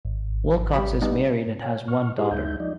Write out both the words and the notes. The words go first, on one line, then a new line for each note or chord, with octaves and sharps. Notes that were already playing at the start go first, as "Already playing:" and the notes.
Wilcox is married and has one daughter.
G#1
G3 G4 B5
G3 B3 D#4
G#2
C#5 F5 G5 G#5
A#2 C#6 F6
E4 G4 G#4 B4 D#5 C6
D2 G#3 D#4 E5 G6
F3 D#4 D5 D#5